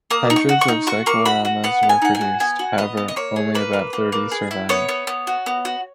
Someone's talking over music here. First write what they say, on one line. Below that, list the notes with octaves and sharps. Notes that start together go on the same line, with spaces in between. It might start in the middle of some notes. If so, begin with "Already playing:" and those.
Hundreds of cycloramas were produced; however, only about thirty survive.
A#3 D#6
D#4
C#6
F#4
C#6
D#4
F#4 C#6
A#3 C#6
F#4 B5
F#4
B3 F#5
B3
G#5
D#4 F#5
G#5
F#4
B3 G#5
F#4
B3 D#5
B3
D#5
A#3 C#5
G#4
A#3 B4
A#3
A#3
A#3
G#4
E4
B3 C#5
B3
B3
F#4
B3
F#4